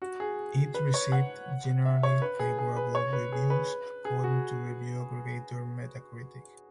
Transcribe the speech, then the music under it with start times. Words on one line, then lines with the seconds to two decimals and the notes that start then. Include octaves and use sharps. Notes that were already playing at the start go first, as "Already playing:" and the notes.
It received "generally favorable reviews" according to review aggregator Metacritic.
0.02 F#4
0.20 G#4
0.74 B4
0.94 C#5
1.12 F#5
1.85 E5
2.03 C#5
2.22 B4
2.39 G#4
2.59 G#4
2.76 B4
2.95 C#5
3.13 B4
3.32 G#4
3.50 B4
4.05 G#4
4.24 F#4